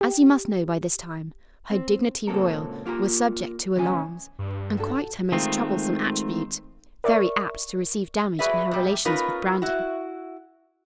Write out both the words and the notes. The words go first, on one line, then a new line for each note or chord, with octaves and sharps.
As you must know by this time, her "dignity royal" was subject to alarms, and quite her most troublesome attribute--very apt to receive damage in her relations with Brandon.
G4
C4
C#2 A#2 C4 A4 A#4
A#3 F4 G4 A#4
E2 A2 C#3 C#4 G#5
G2
F#4 A4
D#3 G#3 A3 C4 F4
A#4 D5 E5 C#6
F#4 G#4 B4 D5 E5
F2 A#2 G3
B3 C#4 D#4 F4 A#4 B4
E4 F#4